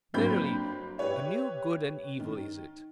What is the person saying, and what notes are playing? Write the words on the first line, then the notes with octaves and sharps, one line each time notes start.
Verily, a new good and evil is it!
G1 F#3 A#3 C4 B5 G6
G4 B4 C#5 E5
D#3